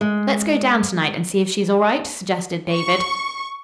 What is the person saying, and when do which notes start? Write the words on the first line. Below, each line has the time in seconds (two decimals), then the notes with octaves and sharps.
"Let's go down to-night and see if she's all right?" suggested David.
0.01 G#3
2.71 C#6